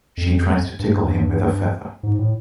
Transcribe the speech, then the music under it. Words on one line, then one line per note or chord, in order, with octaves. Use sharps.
She tries to tickle him with a feather.
F2
G2
G#2
A2